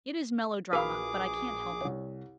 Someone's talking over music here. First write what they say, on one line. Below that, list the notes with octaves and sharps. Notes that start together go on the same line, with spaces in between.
It is melodrama; but I can't help it.
A#1 F#4 G#4 A#4 B4 F5 D6
C2 C#5